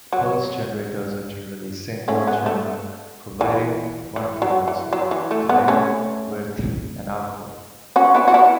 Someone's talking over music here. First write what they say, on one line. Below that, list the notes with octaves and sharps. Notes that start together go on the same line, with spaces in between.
Pulse generators are generally single-channel providing one frequency, delay, width and output.
F#3
A3 C#4
B3
A3
E3
E3
F#3
E3
F#3
E3
A3
B3
A3 C#4
C#4 F#4
B3 E4
F#4
B3 E4